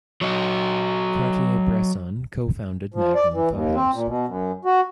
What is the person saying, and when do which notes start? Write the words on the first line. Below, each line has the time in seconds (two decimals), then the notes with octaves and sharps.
Cartier-Bresson co-founded Magnum Photos.
0.21 F#3 F#4 D#5
2.94 F3
3.15 D5
3.34 E3
3.52 D#2
3.75 C4
3.94 A#2
4.08 B2
4.27 F#2
4.65 F#4